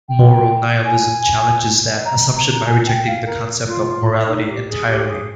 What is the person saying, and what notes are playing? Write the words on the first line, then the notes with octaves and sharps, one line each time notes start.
Moral nihilism challenges that assumption by rejecting the concept of morality entirely.
G5
G#5
A#5
A#5
G#5
G5
F5
A#4
F4
F4
D#4
G4
G#4
G4
G#4